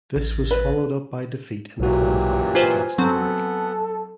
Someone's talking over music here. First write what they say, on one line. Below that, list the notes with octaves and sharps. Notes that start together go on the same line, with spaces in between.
This was followed up by defeat in the qualifiers against Limerick.
A1
B4
B1 A#2 E3 F#3 F#4 G4
F4 B4 C5 G#5
F#3 B3 C4 A4